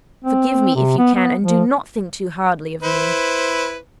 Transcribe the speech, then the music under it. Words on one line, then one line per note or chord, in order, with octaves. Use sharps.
Forgive me if you can, and do not think too hardly of me.
C4
C3
B3
B3
F3
E4 B4 C5